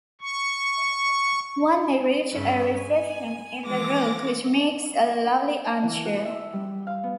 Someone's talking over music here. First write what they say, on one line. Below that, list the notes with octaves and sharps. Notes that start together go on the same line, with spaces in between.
One may reach a recession in the rock which makes a lovely armchair.
C#6
G2 C#3 E5
G#5
E3 F3 G#3 D6 A#6
A5
E3
F#4
E5
G3
F5
B3